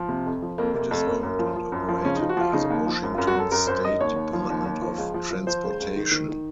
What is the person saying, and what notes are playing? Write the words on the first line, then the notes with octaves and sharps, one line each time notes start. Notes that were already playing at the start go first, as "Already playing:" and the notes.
It is owned and operated by the Washington State Department of Transportation.
Already playing: F3
C3
F2
F3
F2 A#3
C3 A#3
F2 A3
F#2 A#3
F#2
F3
F3
F#2
F3
C#3 C#4
D#4
F3
F#4
F3 F4
C#3 D#4
D#2
F3
F#2
F4
F#2
F#4
F#2 A4
F#2 A#4
F#2 C5
F#2 D#5
D#2 C#5
D#2
F3
D#2
D#2
F3
C#2
F3
F3
F3 C5
C#2
C#2
D#3
D#3
D#3